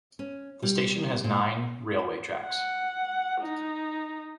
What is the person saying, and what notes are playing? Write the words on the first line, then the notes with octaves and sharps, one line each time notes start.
The station has nine railway tracks.
C#4
G3
A#2
F#5
D#4